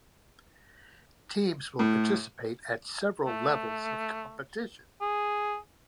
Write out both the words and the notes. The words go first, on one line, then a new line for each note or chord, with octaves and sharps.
Teams will participate at several levels of competition.
A2
A3
G#4